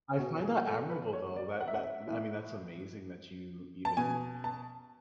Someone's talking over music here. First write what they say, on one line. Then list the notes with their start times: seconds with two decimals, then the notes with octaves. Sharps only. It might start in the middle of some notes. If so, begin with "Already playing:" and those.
I find that admirable, though, that that I mean, that's amazing that you even it, uh
0.19 B2 F#4
0.42 G#4
0.66 A4
0.90 B4
1.13 C#5
1.36 D5
1.60 F#5
1.68 E5
1.74 F#5
1.84 E5
2.08 A2 E3
3.85 A5
3.97 B2 G#5
4.44 A5